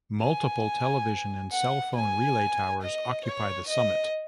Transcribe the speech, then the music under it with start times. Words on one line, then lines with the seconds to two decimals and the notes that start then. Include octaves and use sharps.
Multiple television and cell phone relay towers occupy the summit.
0.21 G#5
1.52 F#5
1.95 G#5
2.82 D#5
3.25 C#5
3.68 D#5